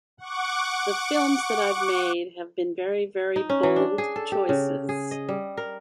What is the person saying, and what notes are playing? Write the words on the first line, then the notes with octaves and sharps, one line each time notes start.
The films that I've made have been very, very bold choices.
F#5 C#6 D6
D#4
C#4
E3
D4
G#4
A4
G4
C#3
G#4
D#5
G3
A#4